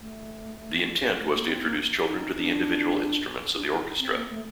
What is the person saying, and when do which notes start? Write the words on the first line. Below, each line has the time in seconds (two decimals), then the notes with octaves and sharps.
The intent was to introduce children to the individual instruments of the orchestra.
0.01 A3
1.19 A3
1.34 A#3
1.48 C4
1.64 A#3
2.08 D#4
2.37 D4
3.56 D4
3.72 D#4
4.00 C4
4.15 A#3
4.31 A3